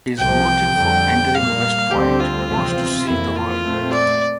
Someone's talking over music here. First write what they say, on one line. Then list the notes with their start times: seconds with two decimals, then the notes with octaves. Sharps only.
His motive for entering West Point was "to see the world".
0.18 C2 C3 F3 G5
0.76 F2 D3 G3
1.34 A#2 G3 A#3 F5
1.91 D2 D3 G3 C4 G4
2.20 F4
2.49 E2 C3 F3 C4
3.06 F2 E3 A#3 E4
3.36 F4
3.65 A#2 A3 C4
3.93 D5